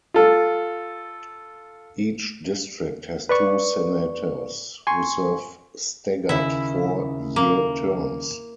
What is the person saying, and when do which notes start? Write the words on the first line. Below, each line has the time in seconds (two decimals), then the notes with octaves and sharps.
Each district has two senators who serve staggered four-year terms.
0.14 F4 A4
3.29 B4 D5 C#6
4.87 G#5 C6 C#6
6.29 D#2 C#3 E4
7.36 A#3